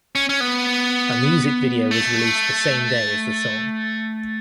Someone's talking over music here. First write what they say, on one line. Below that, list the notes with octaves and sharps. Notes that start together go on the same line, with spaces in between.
A music video was released the same day as the song.
C#4
C#4
B3
A3